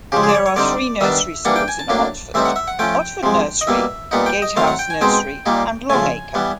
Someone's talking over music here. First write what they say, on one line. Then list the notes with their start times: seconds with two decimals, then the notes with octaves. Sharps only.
There are three nursery schools in Otford: Otford Nursery, Gatehouse Nursery and Longacre.
0.12 C#3 F3 G#3 G4
0.23 G#4
0.29 D5
0.35 C#5
0.46 C#5
0.56 D3 G3 C4 D#4 D5
1.01 D#3 G3 B3 D4 E5
1.45 E3 G3 A#3 D4 F#5
1.56 G5
1.68 G#5
1.79 A5
1.89 A2 F#3 A#3 D4
2.34 A2 E3 G3 C4 D#4 E5
2.45 F#5
2.56 E5
2.68 F#5
2.79 F3 A3 C#4 G5
3.23 C3 F3 G#3
3.61 D#5
3.67 B2 G3 A#3 E5
4.11 A#2 G3 B3 D#4 F#5
4.26 G5
4.42 D#5
4.56 D#3 F#3 A3 C4 F5
4.67 F#5
4.79 G5
4.90 G#5
5.01 B2 G#3 C4 D#4 G5
5.46 A#2 G3 A#3 D#4
5.90 C#3 F3 A3 G#5
6.35 E3 G3 B3